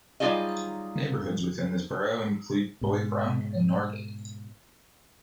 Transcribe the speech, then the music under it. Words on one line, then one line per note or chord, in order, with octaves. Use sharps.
Neighbourhoods within this borough include Bois-Franc and Norgate.
F#3 G3 D#4 F4 G#4 D#5
G#2 B2